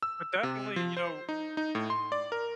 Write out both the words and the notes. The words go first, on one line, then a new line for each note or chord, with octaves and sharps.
but, definitely, you know,
E6
C3
F3
C5
D#4
D#4
A2
C6
D5
A#4